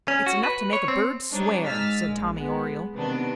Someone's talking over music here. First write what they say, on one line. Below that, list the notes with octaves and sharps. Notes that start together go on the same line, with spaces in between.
"It's enough to make a bird swear," said Tommy Oriole.
C#4
F#4
B4
C#5
C4
G3 C4 D4 D#4 C#5
G#2 D#5 E6 F6 A6 B6
A#1 G#3
G#3 B3
C3 D#3 B3 D4